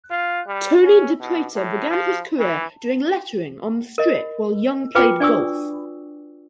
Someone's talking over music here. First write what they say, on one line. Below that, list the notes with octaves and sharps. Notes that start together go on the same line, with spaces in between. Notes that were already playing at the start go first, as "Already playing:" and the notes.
Tony DiPreta began his career doing lettering on the strip while Young played golf.
F4
G3
C#4
B2
A2
F3
E3
A#4 D#5
F4 F#4 B4 G5 G#5 D6
D4 D5 G#5 C#6 D#6 E6